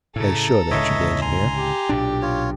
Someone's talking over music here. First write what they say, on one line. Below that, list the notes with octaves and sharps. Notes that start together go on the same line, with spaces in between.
"They should," answered the engineer.
A2 C#3 A4 A#5
C#2 A2 D3 C#5 D#5 E5
G#5 A#5 C6
G4
B1 A#2 D4
F4 C#5